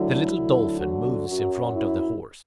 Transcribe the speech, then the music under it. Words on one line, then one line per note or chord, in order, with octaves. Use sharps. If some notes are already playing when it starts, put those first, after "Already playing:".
The little Dolphin moves in front of the Horse.
Already playing: D2 D3 F#3 E4
D2 D3 F#3
F#4
F#2 F#3
E4